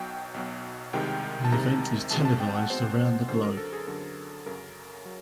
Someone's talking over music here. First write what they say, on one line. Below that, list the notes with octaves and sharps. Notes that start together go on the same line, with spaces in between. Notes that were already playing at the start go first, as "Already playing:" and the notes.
The event is televised around the globe.
Already playing: B1 B2 F#3 G5
B1 B2 F#3
C2 C3 D#3 G#3 G5
A5
C2 C3 D#3 G#3 A#5
B1 B2 G#3 C4 A5
A5
G5
F#5
B1 B2 G#3 C4 C5
F#2 D3 F#3 C5
A#4
A4
G#4
F#2 D3 F#3 A4
F#2 C#3 F#3 A#4
F#3